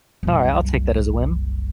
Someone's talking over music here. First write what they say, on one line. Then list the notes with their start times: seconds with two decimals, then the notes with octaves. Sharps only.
Alright. I'll take that as a win.
0.23 F#1 C2